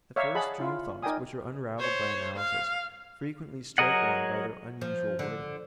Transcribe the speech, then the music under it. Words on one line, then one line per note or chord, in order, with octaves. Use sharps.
The first dream thoughts which are unravelled by analysis frequently strike one by their unusual wording.
C#5 D5 E5 F5 A#5
G#4 D#5 F#5 A5 B5
E4 F4
D#4 A#4 D5 G5 G#5 D#6
C5 C#5
F5
F#3 G#4 A#4 D#5 F#5
F3
D3